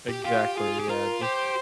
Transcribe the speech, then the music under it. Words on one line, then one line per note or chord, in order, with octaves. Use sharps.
Exactly, yeah, just
G4
F4 G4
F4 G#4
G4
F4 A#4
G4 C5